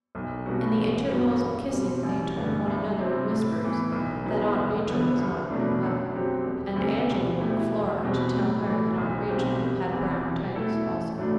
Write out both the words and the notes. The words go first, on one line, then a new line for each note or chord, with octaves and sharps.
In the intervals of kissing they told one another in whispers that Aunt Rachel was not very well, and Angela woke Flora to tell her that Aunt Rachel had Brown Titus also.
B1
B2 G3 B3 F#4
A1
G2 F#3 B3 F#4
E2
B2 G3 C4
A1
G2 D3 A3
C2
C3 F#3 C4
A2
E3 B3
B1
B2 F#3 B3 E4
E1
E2 D3 G3 B3
C2
B2 F#3 A3 D4
F#2
F#3 C4 G4
E1
D2 C3 G3
B2
A3 E4 G4
E1
E2 B2 G3 C4
A2
E3 A3
B1
B2 G3 C4 G4
E1
E2 C3 E3
B2
A3 E4 A4
A1
A2 F#3 A3 D4